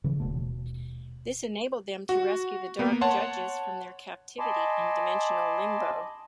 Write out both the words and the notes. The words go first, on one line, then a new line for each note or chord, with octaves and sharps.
This enabled them to rescue the Dark Judges from their captivity in dimensional limbo.
C#3 E3
D#1 B2 A3
F#4
A#3 B3
C#5 F#5 A5 C6
D#5 G#5 A5 B5 C6 D6